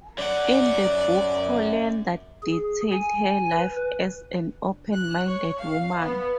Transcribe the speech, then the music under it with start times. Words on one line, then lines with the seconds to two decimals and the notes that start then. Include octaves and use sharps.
In the book Hollander detailed her life as an open-minded woman.
0.18 F#2 D5 F#5
2.43 G#4
2.92 G#5
3.51 B4
4.94 F#6
5.28 C#5
5.60 F5
6.00 B3